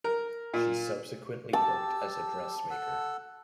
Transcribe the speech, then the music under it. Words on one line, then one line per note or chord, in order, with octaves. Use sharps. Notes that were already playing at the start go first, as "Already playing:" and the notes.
She subsequently worked as a dressmaker.
A#4
A#2
G4 A5 E6
A4 F#5 E6